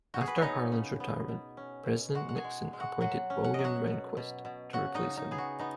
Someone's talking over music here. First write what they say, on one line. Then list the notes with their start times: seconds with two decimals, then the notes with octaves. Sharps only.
After Harlan's retirement, President Nixon appointed William Rehnquist to replace him.
0.14 F#4
0.21 G#4
0.28 B4
0.36 C#5
0.42 B3 D#4 D#5
0.72 C#3
1.00 B3
1.28 B2
1.57 C#4
1.86 B2
2.15 G#3 F#4 F#5
2.29 F#5
2.36 G#4 G#5
2.44 G#3
2.73 G#3
2.80 F#4 F#5
3.01 F#3 F#4 F#5
3.30 C#4
3.44 F#5
3.54 F#3 D#5
3.64 F#4 F#5
3.87 B2
4.17 B2
4.45 B2
4.73 C#3 F#4 F#5
4.95 D#4 D#5
5.03 C#3
5.17 D#4
5.31 B3 G#4
5.38 F#4
5.59 B3 D#4